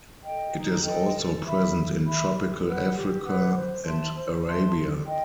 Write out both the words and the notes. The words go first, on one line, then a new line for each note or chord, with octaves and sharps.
It is also present in tropical Africa and Arabia.
A4 D#5 G5
D#4
A4 D#5 G5
A4
E5 B5
A4
E5 B5
G4
B4 F#5
G4
B4 F#5
C5
E5 A5 C6
C5
E5 A5 C6
A4
D#5 G5